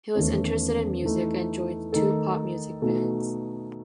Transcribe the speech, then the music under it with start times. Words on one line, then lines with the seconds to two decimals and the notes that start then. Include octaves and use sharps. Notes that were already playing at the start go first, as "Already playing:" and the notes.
He was interested in music and joined two pop music bands.
0.15 E2 D#3 A3 C#4
1.04 E3 A3 D#4 A4
1.93 D#3 A3 D#4 A4
2.82 B2 A3 D#4 A4